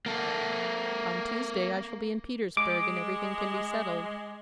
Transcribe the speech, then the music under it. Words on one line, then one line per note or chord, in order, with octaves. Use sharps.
"On Tuesday I shall be in Petersburg, and everything can be settled."
A#3 A4
G#3 D6